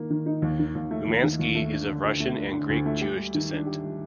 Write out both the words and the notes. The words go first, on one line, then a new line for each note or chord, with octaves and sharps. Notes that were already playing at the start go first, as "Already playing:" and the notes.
Umansky is of Russian and Greek Jewish descent.
Already playing: D#3 A#3
D#3
D#4
D#2
D#3
D#2
A3
D#2
D#3
D#2
A3
D4
D3
D2
A3
D4
D3
D2
A3
G4
G3
D#3
D4
G4
G3